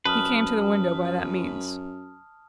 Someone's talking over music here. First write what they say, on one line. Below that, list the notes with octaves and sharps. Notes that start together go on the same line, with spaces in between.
He came to the window by that means.
F#2 B4 A5 D#6 F6